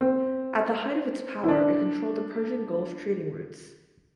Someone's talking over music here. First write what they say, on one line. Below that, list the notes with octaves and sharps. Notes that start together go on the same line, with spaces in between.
At the height of its power, it controlled the Persian Gulf trading routes.
C4
E4
D4